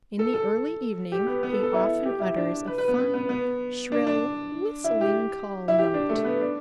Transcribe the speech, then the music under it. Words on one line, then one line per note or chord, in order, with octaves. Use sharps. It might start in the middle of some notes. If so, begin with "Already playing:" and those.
In the early evening he often utters a fine, shrill, whistling call note.
A4
A4
G4
B3
B3
A4
A4
E4
G4
E4
D4
B4
B4
B3
B3
B3
B3
D4
D4
E4
G4
E4
G4
D4
A3
B3
D4